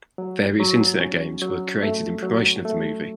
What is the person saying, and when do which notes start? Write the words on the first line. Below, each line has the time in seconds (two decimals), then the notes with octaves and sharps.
Various internet games were created in promotion of the movie.
0.18 F#3
0.60 F#3
1.00 C#4
1.42 F#3
1.83 A3
2.23 F#3
2.65 A3